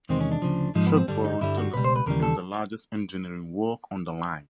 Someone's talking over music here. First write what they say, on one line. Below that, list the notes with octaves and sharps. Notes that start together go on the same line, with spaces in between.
Shugborough Tunnel is the largest engineering work on the line.
E2 C3 D#3 G#3 C4
C#4
D4
D2 C#3 F3
G#2 F3 G#3 D#4
B3
C4
G2 D3 G3 D4
D#4
G2 D3 G3 E4
F#4
C#2 B2 G3 B4
C5
B4
D#2 C#3 E3 G3 A#4
A4